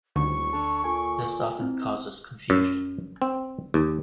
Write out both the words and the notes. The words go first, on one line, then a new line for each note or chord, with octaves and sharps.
This often causes confusion.
D#1 D2 C#6
D3 A5
A#2 A4 G#5
C4 E4
F#2
C4
D#2